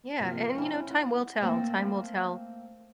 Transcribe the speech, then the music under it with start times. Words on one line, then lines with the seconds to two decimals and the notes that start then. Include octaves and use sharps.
Yeah. And, you know, time will tell. Time will tell
0.20 C3 F3 A#3
0.55 C4 C#4 E4
0.90 F#5
1.41 A3 A#3 C4 C5 G5